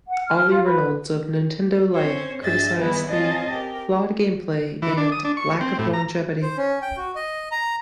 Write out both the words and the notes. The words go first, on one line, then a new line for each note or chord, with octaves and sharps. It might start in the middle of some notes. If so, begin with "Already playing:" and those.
Ollie Reynolds of "Nintendo Life" criticized the "flawed gameplay" and "lack of longevity".
F#5
F6
F4
B4
C4 C#4 C5 C#5
G2 D4 G#4 D#5 E5 A6
D#3 E3 G3 G#3 B3 E4
C4 C#4 F4 G#4 D#5 A5
G4 A#4
E3
D4
D#6
D4
C#6
C4
A2
A#5
C5
C#4
G5
F#4
D#5
A#5